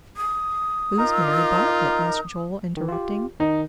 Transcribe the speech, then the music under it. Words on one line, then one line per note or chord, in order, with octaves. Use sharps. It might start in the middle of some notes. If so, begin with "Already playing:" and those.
"Who's Mary Bartlett?" asked Joel, interrupting.
D#6
D#4 F4 A#4 A#5
D#3
F4 G4
D#3 D#4